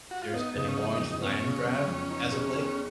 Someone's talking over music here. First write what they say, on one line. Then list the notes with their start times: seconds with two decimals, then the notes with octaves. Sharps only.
there's been a large land grab as of late,
0.11 F#4
0.22 F4
0.33 B3 D#4
0.55 C#3
0.68 C#4
0.77 F#3 D#4
1.00 F2
1.21 B3 C#4
1.44 C#3
1.66 F#3
1.88 F2
2.10 D#4
2.32 G#3
2.54 B3